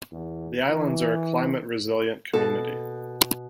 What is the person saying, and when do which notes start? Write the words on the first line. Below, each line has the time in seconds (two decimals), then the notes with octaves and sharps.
The islands are a Climate resilient community.
0.11 E2
0.69 E3
2.33 B2 A4